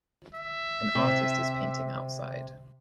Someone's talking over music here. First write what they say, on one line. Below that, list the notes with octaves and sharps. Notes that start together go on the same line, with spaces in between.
An artist is painting outside.
E5
C3